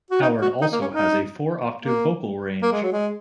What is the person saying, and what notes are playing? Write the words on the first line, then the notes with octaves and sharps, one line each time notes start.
Howard also has a four octave vocal range.
F#4
D#4
F#4
D#4
A#3
C#4
D#4
A#3
A#3
G#3
F#3
G#3